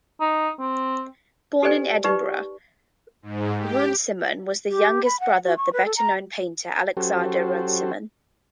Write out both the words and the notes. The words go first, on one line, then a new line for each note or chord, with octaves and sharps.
Born in Edinburgh, Runciman was the younger brother of the better-known painter Alexander Runciman.
D#4
C4
G4 A4 B4 C5 D5 G#5
D#4 G4 B4 D5 G5 C#6
G#2
G4
G4
B5
F#5
F#4
C#6
B4
A4
A#5
F#3 C#4 F#4 G4 A4 C5